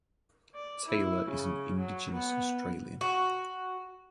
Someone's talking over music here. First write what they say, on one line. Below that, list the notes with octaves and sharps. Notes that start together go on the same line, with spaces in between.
Taylor is an Indigenous Australian.
D5
E4
C#3
F#3
B3
F#4